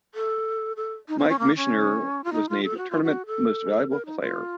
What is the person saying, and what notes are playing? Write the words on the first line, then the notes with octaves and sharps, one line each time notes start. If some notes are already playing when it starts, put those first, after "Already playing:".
Mike Michener was named Tournament Most Valuable Player.
A4
A4
D#4
C#4
C4
C#4
A#3
C#4
F4
D#4
F4
A4
F#4
F4
F#4
A4
A#4
D#4
F4